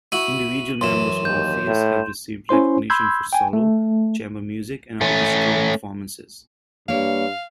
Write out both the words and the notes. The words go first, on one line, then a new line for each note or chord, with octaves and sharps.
Individual members of Orpheus have received recognition for solo, chamber music, and orchestral performances.
E4 F#4 D#7 F#7
F#2 E3 C6 E7
D#2 G6
A2
C#4 E4 C5 C6
B5 C6 E6 G6 G#6
G5 G#5
A3
A3 C#4
G2 A#3 C#5 F5